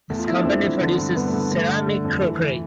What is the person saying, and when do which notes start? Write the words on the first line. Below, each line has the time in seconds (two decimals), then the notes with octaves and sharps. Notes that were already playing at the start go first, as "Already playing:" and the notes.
This company produces ceramic crockery.
0.10 E2 A3
0.18 F4
0.27 E2 E4
0.36 D4
0.45 E2 C4
0.63 E2
0.81 D3
0.98 G2
1.16 G2 B3
1.28 A3
1.33 D3
1.40 A3
1.51 D3 A3
1.69 D3
1.87 D3
2.05 F2
2.22 E3
2.39 E3